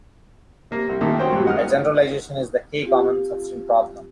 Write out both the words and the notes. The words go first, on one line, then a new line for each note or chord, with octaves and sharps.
A generalization is the k-common substring problem.
C3 A#3
C2
A#2 D#3 A3
C#4 F#4 C5 G5
G2 A#2 F#3 F#4
G#3 D#4 F#5 D#6 F6
C4 F4 G4 F5